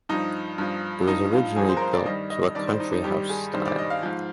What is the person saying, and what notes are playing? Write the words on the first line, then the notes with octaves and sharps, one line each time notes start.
It was originally built to a country house style.
G2 F3 D#4
G2 F3
G2 F3 D#4
F4
G2 F3 G#4
C5
A#4
C5
D5
G2 D#3 G3 D#5
D#5
G2 D#3 G3 D5
C5
D#4
D#4
G2 D#3 G3 G4
G#4
G2 D#3 G3 C5
D5
D#5
F5
G#2 F3